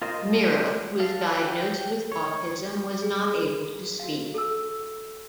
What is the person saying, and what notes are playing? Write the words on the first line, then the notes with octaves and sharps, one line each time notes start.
Mirra, who was diagnosed with autism, was not able to speak.
F4 A#4 C5 D#5
A4 F5
G5
C#5
G#4
F#4 F5
A4 E6